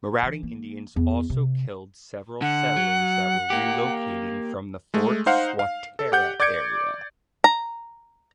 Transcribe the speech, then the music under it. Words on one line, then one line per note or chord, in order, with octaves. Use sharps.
Marauding Indians also killed several settlers that were relocating from the Fort Swatara area.
E3
A#3
E2
C3
D3 F#5
F#3
A#3 G4
G#3 A3
D#4 C5 F5 F#5
F5
A4
G4 F#5 G6
D5 D6 G6 G#6 C#7 D7
A#5